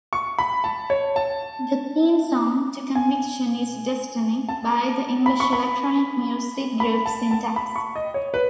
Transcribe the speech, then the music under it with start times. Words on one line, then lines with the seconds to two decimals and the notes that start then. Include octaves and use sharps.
The theme song to "Conviction" is "Destiny", by the English electronic music group Syntax.
0.13 C#6
0.39 B5
0.64 A5
0.90 C#5
1.16 A5
2.95 G#5
4.49 A5
5.26 B5
5.40 C#6
5.53 B5
6.80 B5
7.06 A5
7.31 A5
7.56 B5
7.76 C#6
7.95 D#5
8.14 C#5
8.34 B4